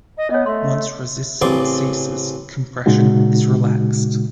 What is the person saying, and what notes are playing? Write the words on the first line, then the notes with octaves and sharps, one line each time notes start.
Once resistance ceases compression is relaxed.
D#5
B3 C#5 D#5
A3 C6
A1 C#3 C4 D5 C6
A#2 C#3 G#3 D#4 F#4